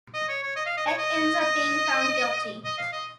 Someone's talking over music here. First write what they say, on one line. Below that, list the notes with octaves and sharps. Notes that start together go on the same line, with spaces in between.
Eek ends up being found guilty.
D#5
C#5
C#5
D#5
F5
D#5
C#5
D#5
D#5
D#5
F5
D#5